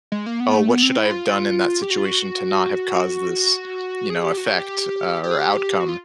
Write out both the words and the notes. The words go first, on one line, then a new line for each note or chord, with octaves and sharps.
"Oh, what should I have done in that situation to not have caused this, you know, effect, uh, or outcome?"
G#3
A#3
B3
A3
B3
C4
E4
F4
G4
F#4
F4
F#4
F#4
G#4
G4
F#4
G4
G4
G#4
G4
F#4
F4